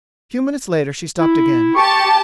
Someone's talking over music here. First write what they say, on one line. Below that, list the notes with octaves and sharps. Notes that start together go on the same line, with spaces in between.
A few minutes later she stopped again.
E4
G4 A5 C#6